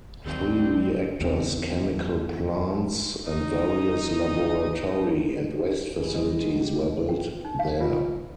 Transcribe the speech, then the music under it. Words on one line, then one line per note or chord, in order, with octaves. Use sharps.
Three reactors, chemical plants and various laboratory and waste facilities were built there.
D#2 D#3 F#3 G3 C4
E2 A3 C4
D#4 D#5
C#4 F#4 G#4 B4
F3 G3 A3 C5 D#5
G#3 A3 F#4
G4
G5
D#4
F5
F4